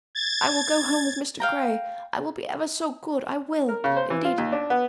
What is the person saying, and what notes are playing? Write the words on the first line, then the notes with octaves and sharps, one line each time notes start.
I will go home with Mr. Grey. I will be ever so good; I will, indeed.
G#6 A6
F5 G5 A#5
A#4
C#3
C5
E3
F4
D#2
D4
B3